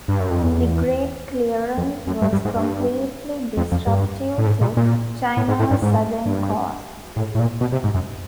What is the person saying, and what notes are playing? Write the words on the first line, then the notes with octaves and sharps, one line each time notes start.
The Great Clearance was completely disruptive to China's southern coasts.
G2
F#2
F2
E2
F2
F#2
G2
G2
G#2
G2
F2
F2
G2
A2
G#2
A#2
A#2
A2
G#2
A2
G2
G#2
G2
A2
A2
A#2
B2
C3
G#2
F#2